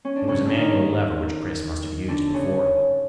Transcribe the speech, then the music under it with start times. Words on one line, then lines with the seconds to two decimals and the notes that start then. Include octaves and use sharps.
There was a manual lever, which Chris must have used before.
0.05 C#4
0.16 D4
0.28 C#3 C#4
0.47 D4
0.56 D#3 D#4
2.08 D3 D4
2.34 C#3 C#4